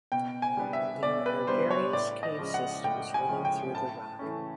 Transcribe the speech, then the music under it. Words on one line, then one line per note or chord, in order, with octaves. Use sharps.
There are various cave systems running through the rock.
B2 G5
G#5
G3 B3 D4
E5
B2 D5
B4
G3 B3 D4 C5
C#5
A2 D5
D#5
F3 G#3 C#4
F#5
A2 G5
G#5
F3 G#3 C#4
G5
A2 A5
E3 A3 C#4